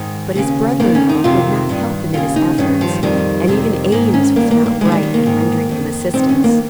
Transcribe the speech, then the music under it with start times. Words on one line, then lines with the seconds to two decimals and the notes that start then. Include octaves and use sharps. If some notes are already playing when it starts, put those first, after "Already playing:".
But his brother-in-law would not help him in his efforts; and even Eames was not bright in rendering him assistance.
Already playing: G#2 D#3
0.35 D#2 C#3
0.80 F2 D#3 A#3
0.95 C#4
1.09 D#4
1.24 F2 C3 D#3 F4
1.69 G2 D#3
2.14 D#2 C#3 F4
2.36 D#4
2.58 G2 D#3 C#4
2.81 F3
3.03 F2 D#3 G3
3.47 F2 C3 D#3
3.92 G#2 D#3 A#3
4.14 C#4
4.36 G2 D#3 A#3
4.51 A#3
4.66 A#3
4.81 D#2 D#3 G#3
4.92 G3
5.03 G3
5.14 A#3
5.26 G#2 D#3
5.69 F2 D#3
6.14 G2 D#3 C4
6.29 C#4
6.44 A#3